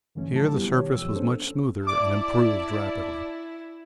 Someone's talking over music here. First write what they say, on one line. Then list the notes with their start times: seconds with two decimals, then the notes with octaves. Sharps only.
Here the surface was much smoother and improved rapidly.
0.15 G2 D3 E3 A3 C#4
0.33 A2 C#3 F#3 E4 A5
0.50 G3 B3 G4
0.69 B2 D#3 G4 C#5
0.94 F#2 F3 G#3 E6
1.15 B3 C#4 D4 A4 C5
1.87 E4 D5 A5 D6